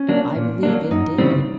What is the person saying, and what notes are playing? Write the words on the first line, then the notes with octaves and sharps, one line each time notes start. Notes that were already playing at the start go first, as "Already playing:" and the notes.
"I believe it did."
Already playing: C#4
F#3 A#3 D4
A#2
F#3 A#3 D4
F#2 D#4
C#3 E3 G3 C4